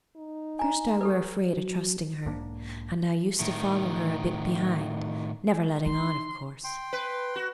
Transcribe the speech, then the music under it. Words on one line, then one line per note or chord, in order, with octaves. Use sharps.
At first I were afraid o' trusting her, and I used to follow her a bit behind; never letting on, of course.
D#4
G#5 A#5
G4 A4 B4
F#3
B1 G#2 A#3 D4
A2 D#3
D#4 C6
G5 C6
B4
F#4